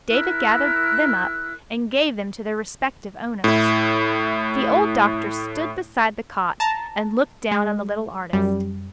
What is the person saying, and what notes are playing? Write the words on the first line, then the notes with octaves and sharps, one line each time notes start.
David gathered them up and gave them to their respective owners. The old doctor stood beside the cot and looked down on the little artist.
E4 A#4 E6 F#6
A2 E4
A5 A#5
G#3
F#2 G3